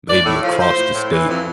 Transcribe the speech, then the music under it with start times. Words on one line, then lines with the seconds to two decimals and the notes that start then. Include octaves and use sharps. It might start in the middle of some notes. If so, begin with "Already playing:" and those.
maybe across the state.
0.08 A2 D5
0.25 A2
0.42 F3
0.59 F3 C5
0.76 A2
0.94 A2
1.11 E3
1.28 F2